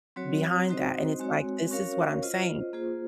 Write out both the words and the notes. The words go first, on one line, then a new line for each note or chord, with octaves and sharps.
behind that. And it's like, this is what I'm saying.
F#3 C4 F#4 C#5
C4 D#4 F#4 C5 D#5
G#3 C4 F#4 C#5
C#4 F#4 A#4 C#5 F5
F4 C5 D#5
A#3 F4 G#4 C5